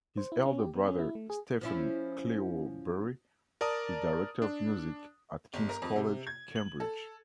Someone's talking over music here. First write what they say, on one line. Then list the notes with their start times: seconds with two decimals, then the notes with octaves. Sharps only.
His elder brother Stephen Cleobury is Director of Music at King's College, Cambridge.
0.17 C5
0.32 E4
0.46 C#4
0.59 G4
0.75 B3
0.87 C#4
0.99 E4
1.15 A3
1.30 G#4
1.61 F3 C#4 E4
3.61 A#4 D5 A5 A#5 D#6
4.42 D4
5.54 G1
5.69 A#4
5.82 F2
5.96 C3
6.27 G#6
6.56 F#7
6.80 A4